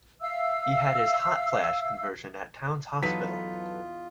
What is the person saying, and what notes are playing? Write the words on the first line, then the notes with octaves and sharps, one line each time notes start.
He had his "hot flash" conversion at Towns Hospital.
E5 F5 E6
E2 F#3 D#4 F4 A4 B4 B6